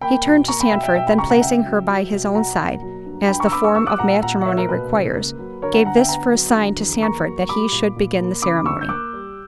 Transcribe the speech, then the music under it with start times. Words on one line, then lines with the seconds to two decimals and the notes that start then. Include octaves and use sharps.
He turned to Sandford--then placing her by his own side, as the form of matrimony requires, gave this for a sign to Sandford that he should begin the ceremony.
0.01 A#3 G5 B5
0.25 B2
0.48 A#3 A#5 C#6
0.61 G5 B5
0.71 B2 E5 G5
0.83 E5 G5
0.95 B2 E5 G5
1.07 G5 B5
1.18 C#2 A#5 C#6
1.30 F#5 A#5
1.41 C#2 E5 G5
1.66 F#3
1.88 F#3
2.12 B2
2.35 B2 F#5 A#5
2.58 A#3
2.82 F#3
3.06 G2
3.28 G2 G5 B5
3.40 A#5 C#6
3.47 E6
3.52 B3 B5 D6
3.64 C#6 E6
3.75 G3 C#6 E6
3.87 D6 F#6
3.98 A#2 F#5 A#5
4.22 A#2 F#5 A#5
4.41 F#5
4.45 A#3 C#5 E5
4.58 A#4
4.69 B2 B4
4.92 C#2
5.16 A#3
5.39 F#3
5.62 D3 A#4 C#5
5.74 F#5 A#5
5.85 D2 F#5 A#5
5.97 E5 G5
6.09 B3 F#5 A#5
6.32 F#3
6.56 D3
6.79 E2
7.02 A#3 A#5 C#6
7.25 F#3
7.49 G3 B5 D6
7.72 A#2
7.96 A#2
8.20 A#3
8.42 C#3 B5 D6
8.66 D2 C#6 E6
8.81 G6
8.89 A#3 D6 F#6
9.13 G3